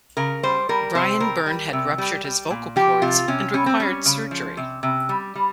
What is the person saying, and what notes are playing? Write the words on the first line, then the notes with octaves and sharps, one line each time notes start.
Brian Byrne had ruptured his vocal cords and required surgery.
C#3 A#4
G3 C5
G3 A#4
C3 C5
G3 A#4
G3
C3
G3
G3
A#2
F3 G4
C3 F4
C3 C#4
G3 C#4
C4
G3 C#4
C#3
F3
C3
C3
G3
G3